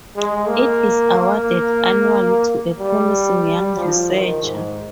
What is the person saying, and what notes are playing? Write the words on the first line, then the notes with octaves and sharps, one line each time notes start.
It is awarded annually to a promising young researcher.
G#3
A#3
A#3
G3
F3
D#3
G#2